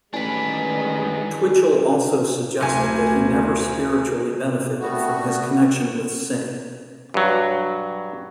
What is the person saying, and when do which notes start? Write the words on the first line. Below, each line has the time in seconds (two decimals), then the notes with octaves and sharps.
Twitchell also suggested that he never spiritually benefited from his connection with Singh.
0.14 A1 D#3 G#3 D4 B4 G#5 B6
2.61 F#1 D2 G#5
4.80 G3 A3 B3 F#4
7.14 G2 F#3